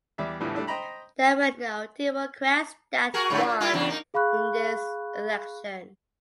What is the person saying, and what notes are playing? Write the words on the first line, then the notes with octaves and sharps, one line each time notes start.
There were no Democrats that won in this election.
E2 G3 D5 E5
E2 A2 D3 E3 F3 G3
G3 A3 D4 E4
C5 D#5 G5 A#5 B5
F#4 G#4 A#4
G#2 D3 A3
A#2
A#3 E4 F4
E2 C#3 D4
A#3 D#4
G#4 F5 B5 C#6 F#6